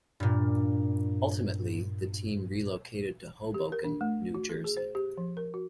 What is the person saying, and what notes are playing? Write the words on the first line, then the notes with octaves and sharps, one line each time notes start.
Ultimately, the team relocated to Hoboken, New Jersey.
G2 A#2
G4
A#4
D4
A3
F#4
A4
G#4
C5
G4
F3
A#4
F#4